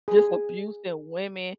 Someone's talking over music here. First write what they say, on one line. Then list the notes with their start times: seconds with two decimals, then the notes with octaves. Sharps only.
Just abusing women,
0.08 G#4